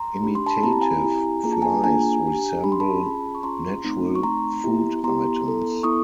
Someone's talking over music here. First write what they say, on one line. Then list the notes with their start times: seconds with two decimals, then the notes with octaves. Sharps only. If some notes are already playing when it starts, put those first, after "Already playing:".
Imitative flies resemble natural food items.
Already playing: A#5 C6
0.23 D4 G4 B5
0.35 C6
0.47 A5 B5
0.63 C4 E4 G4 A#5
0.73 B5
0.82 G#5 A#5
1.04 C4 E4 G4
1.44 A#3 D4 F4 G#4 A#5
1.53 A5
1.62 G#5 A#5
1.83 A#3 D4 F4 G#4 G#5 A#5
2.24 D4 G4
2.64 D4 G4 B5
2.72 C6
2.80 A5 B5
3.03 C#4 F4 G#4
3.35 C#6
3.43 C#4 F4 G#4 A#5 C6
3.84 A3 C4 D#4
4.15 C#6
4.23 A3 C4 D#4 A#5 C6
4.64 B3 E4 G4
5.03 B3 E4 G4 A#5 C6
5.44 B3 E4 A4
5.83 B3 E4 A4 C#6 D#6